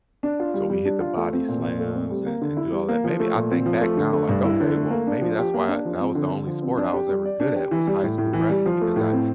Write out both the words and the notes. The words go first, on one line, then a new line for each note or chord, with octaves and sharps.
so we hit the body slams and and do all that. Maybe I think back now, like, okay, well, maybe that's why that was the only sport I was ever good at was high school wrestling because I
D4
F4
G3
G3
D4
F4
A3
C4
A#2
A#2
A3
C4
G3
A#3
D3
E4
G3
A#3
F3
A3
A#2
C4
F3
A3
D3
A3
G2
E4
D3
A3
A#3
D4
F3
G4
A#3
D4
F3
C4
D3
D3
F3
C4
D4
G4
G3
D5
D4
G4
E3
G3
A2
A2
E3
G3
F3
A3
A2
C4